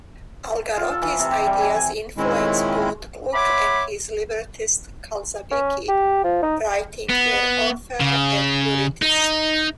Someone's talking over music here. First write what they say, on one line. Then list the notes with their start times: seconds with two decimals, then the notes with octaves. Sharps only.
Algarotti's ideas influenced both Gluck and his librettist Calzabigi, writing their Orfeo ed Euridice.
0.77 F4
0.90 A4
1.02 E3
1.19 C3
1.31 G4
1.47 G3
1.61 G#5
1.76 G#5
2.17 A#2 D#3 G#3 C4 C#4 E4
3.34 C#5 E5 F#5 B5 C6 D6
5.51 C#4
5.88 G4
6.24 F3
6.42 D#4
7.09 B3
8.00 C#3
9.02 D#4